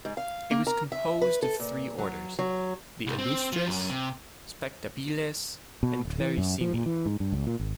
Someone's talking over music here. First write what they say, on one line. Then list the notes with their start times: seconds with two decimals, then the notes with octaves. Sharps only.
It was composed of three orders, the "illustres", "spectabiles" and "clarissimi".
0.05 G#2
0.17 F5
0.51 A#3
0.67 A#4
0.92 E5
1.22 B4
1.42 A4
1.60 A#2
1.98 F#3
2.39 F#3
3.07 C2
3.18 C4
3.52 F3
3.67 F#2
3.90 C3
5.83 B2
6.05 D1
6.20 E3
6.38 F#2
6.61 F3
6.74 A#2
6.86 E3
7.06 G#2
7.20 G2
7.32 C#2
7.47 A#2
7.60 G#1